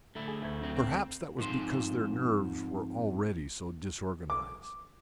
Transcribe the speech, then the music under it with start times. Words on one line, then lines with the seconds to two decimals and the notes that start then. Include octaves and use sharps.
Perhaps that was because their nerves were already so disorganised.
0.15 D3 A3 E4
0.28 G#4
0.42 D2 G#6
0.62 D3 F#3 C4
0.76 C4
1.39 F2 G#2 C5 C6
4.30 D6